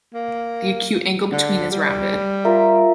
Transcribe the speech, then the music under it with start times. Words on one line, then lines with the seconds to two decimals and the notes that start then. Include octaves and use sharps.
The acute angle between is rounded.
0.14 A#3
1.32 D3
1.70 G3
2.44 F4 A#4 E5